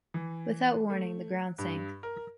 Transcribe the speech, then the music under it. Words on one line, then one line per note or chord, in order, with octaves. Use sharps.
Without warning, the ground sank.
E3
A3
G2
A#4